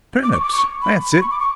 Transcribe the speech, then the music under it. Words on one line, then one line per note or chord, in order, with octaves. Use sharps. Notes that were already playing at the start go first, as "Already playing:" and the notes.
Turnips! that's it!
D6
C#6
D6
C#6
B5
B5
C#6
D6
C#6